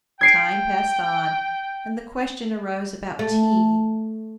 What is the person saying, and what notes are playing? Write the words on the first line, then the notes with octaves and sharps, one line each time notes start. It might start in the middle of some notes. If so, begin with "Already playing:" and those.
Time passed on, and the question arose about tea.
G5 G#6 C7 D7
A3